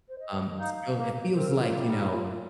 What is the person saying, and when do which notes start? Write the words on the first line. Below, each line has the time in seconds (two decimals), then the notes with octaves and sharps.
um, it's feel it feels like, you know,
0.09 C5
0.19 D#5
0.58 D#4 F5
0.97 A#3
1.35 C4 A#4
1.60 F4
1.68 A#3
1.73 G3
1.85 D#4
2.12 F4